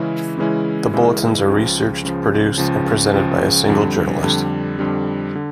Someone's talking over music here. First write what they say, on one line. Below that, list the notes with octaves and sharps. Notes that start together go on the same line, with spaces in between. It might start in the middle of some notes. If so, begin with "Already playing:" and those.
The bulletins are researched, produced and presented by a single journalist.
Already playing: C#3 E3 G#3 C#4 E4
C#3 E3 G#3 C#4 E4
C#3 E3 G#3 C#4 E4
C#2 C#3 F3
C#2 C#3 F3
C#2 C#3 F3
C#2 C#3 F3
F2 D3 G3
F2 D3 G3
F2 D3 G3
D3